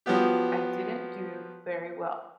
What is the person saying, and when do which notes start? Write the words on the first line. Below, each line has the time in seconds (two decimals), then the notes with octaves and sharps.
I didn't do very well.
0.06 F3 F#3 B3 G4